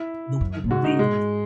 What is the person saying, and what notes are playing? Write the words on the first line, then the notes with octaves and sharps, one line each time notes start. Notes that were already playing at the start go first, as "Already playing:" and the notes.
the worker bees.
Already playing: E4
F#2
A#2
G#2 F#4
D#4
G#3